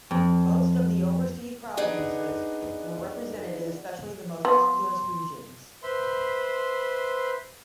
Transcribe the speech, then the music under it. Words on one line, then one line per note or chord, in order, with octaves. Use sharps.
Most of the overseas provinces were represented, especially the most populous regions.
F2
B3 D4 D#4 G#4
B3 C6
B4 C5 E5 B5 C6